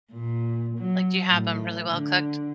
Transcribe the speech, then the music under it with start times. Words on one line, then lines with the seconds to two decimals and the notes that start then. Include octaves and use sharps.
Like, do you have them really well cooked?
0.12 A#2
0.78 F#3
1.30 A2
1.90 D3